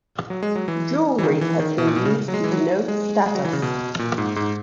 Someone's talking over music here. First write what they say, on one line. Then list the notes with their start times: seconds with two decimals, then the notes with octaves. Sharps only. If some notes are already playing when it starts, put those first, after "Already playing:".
Jewellery has been used to denote status.
0.30 F#3
0.42 G#3
0.55 F#3
0.68 E3
1.18 E3
1.23 D#3
1.41 E3
1.60 D#3
1.78 B2
1.87 A#2
1.96 B2
2.05 C#3
2.28 F#3
2.34 G#3
2.44 E3
2.51 F#3
2.88 G#3
3.26 G#3
3.35 F#3
3.44 E3
3.53 C#3
3.62 B2
3.99 A#2
4.18 G#2
4.36 G#2